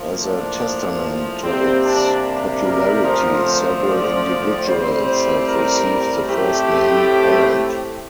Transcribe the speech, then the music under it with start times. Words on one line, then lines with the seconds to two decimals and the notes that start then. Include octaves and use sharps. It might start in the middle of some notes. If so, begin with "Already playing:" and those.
As a testament to its popularity, several individuals have received the first name "Holland".
Already playing: A2 F3 A#3
0.22 D4
1.42 C3 G3 A#3 C4
1.83 D4
2.64 A#4
3.04 D3 F3 A3 C4
3.45 C5
3.86 D5
4.66 A2 G3 C4 C5
5.07 C5
5.47 A#4
6.28 A2 A3 C4 G4